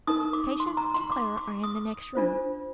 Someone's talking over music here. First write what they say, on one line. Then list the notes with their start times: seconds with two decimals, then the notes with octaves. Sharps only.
Patience and Clara are in the next room.
0.07 D#4 A#4 D#6
0.33 D6
0.60 C6
0.77 A#5
0.94 C6
1.12 D6
1.37 D6
1.64 D#6
2.15 D4 F4 C5